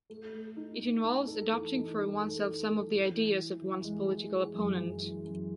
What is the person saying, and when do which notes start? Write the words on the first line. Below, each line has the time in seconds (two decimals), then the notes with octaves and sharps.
It involves adopting for oneself some of the ideas of one's political opponent.
0.10 A3
0.34 A3
0.57 D#4
0.81 D#4
1.03 D#4
1.27 A4
1.51 E3
1.75 D#4
1.97 D#4
2.21 A4
2.45 A4
2.68 A4
2.91 E3
3.14 E3
3.38 E3
3.62 E3
3.84 G#3
4.08 E3
4.32 E3
4.54 F#2
4.79 F#2
5.02 E3
5.25 F#2